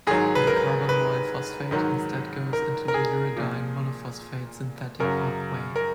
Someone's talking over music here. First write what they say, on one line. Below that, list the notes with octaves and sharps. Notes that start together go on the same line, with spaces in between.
The carbamoyl phosphate instead goes into the uridine monophosphate synthetic pathway.
G#2 D#3 F#3 G#4
B4
A#4
B4
G#2 D#3 F#3
A#4
A#4
G#4
A#2 F3
F#2 C#3 F#3 A#4
A#4